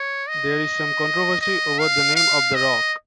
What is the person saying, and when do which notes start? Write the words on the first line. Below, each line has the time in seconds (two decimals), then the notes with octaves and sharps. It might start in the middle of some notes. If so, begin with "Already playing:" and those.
There is some controversy over the name of the rock.
Already playing: C#5
0.28 D#5
1.41 D#5
1.79 F5
2.16 F5
2.55 D#5